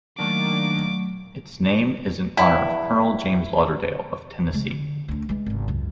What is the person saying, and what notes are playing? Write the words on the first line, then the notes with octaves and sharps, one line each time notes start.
Its name is in honor of Colonel James Lauderdale, of Tennessee.
D#3 F#3 A3 A#3 D4 C#6 D6
E2 G2 E4
C#3 G#3
D3
D2 D4
E3 G#3
G#1 C#2
C#2 F#2